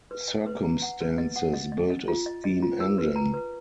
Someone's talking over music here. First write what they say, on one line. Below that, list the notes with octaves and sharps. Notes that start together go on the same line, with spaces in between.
Circumstances built a steam engine.
B4
D#5
B4
A#5
F#5
B4
D#5
F#5
D#5
D#5
D#5
F4
D#5
D#5
F4
A#4
B4
A#5
B4